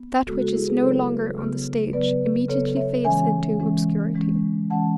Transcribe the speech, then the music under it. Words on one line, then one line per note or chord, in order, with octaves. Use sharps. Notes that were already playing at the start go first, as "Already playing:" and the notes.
That which is no longer on the stage immediately fades into obscurity.
Already playing: B3
C#3 G#3 B3 F#4 A4
F#4 A4
E4 G#4
G#4 B4
C#3 F#3 B3 A4 C#5
C#3 F#3 B3
C#3 F#3 B3 B4 D5
C#3 F#3 B3 A4 C#5
C#5 E5
E3 G#3 C#4 E5 G#5
E3 G#3 C#4
E3 G#3 C#4
E3 G#3 C#4 F#5 A5